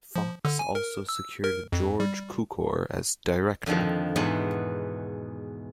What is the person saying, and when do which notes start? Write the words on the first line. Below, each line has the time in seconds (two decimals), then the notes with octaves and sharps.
Fox also secured George Cukor as director.
0.16 F3
0.45 D3
0.59 G#5
0.75 A#4
1.09 E6
1.44 A#4
1.72 F2
2.00 G3
3.66 F2 D3 D#3 F3
4.16 E2 G#2 B2 B3